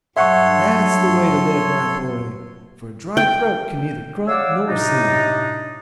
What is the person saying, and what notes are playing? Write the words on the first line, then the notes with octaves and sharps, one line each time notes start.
"That's the way to live, my boy, for a dry throat can neither grunt nor sing."
G2 F#3 A4 C#5 E5 F#5 C6 C#6
G5
C#5 D5 F5 F#5 D6 E6
A2 C3 D4 D#4